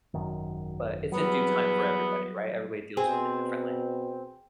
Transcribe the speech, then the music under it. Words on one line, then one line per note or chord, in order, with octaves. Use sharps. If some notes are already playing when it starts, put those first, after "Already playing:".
but it's in due time for everybody, right? Everybody deals with it differently.
G#1 F#2 D#3
E2 F#3 G3 B3
B2 C4 G#4